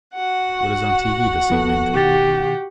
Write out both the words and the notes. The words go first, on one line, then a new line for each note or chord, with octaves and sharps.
What is on TV this evening?
F#4 F#5
F3 B3 A4
B2 D#3 G4 A6